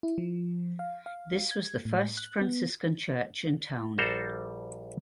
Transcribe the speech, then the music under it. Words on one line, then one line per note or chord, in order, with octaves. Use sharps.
This was the first Franciscan church in town.
E4
F3
F5
F5
G#6
A2
F#6
B3
A#1 G3 F#4 A4 C5 A#5